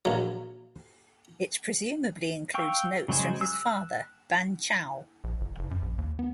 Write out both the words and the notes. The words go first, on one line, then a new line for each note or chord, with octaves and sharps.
It presumably includes notes from his father Ban Chao.
A#1 F#3
F5 G5 C#6 E6
C#3 F#3 G#3 C5 G#5
E6 F#6
A#1
G1
F#1
F#2
A#1
D#2
B3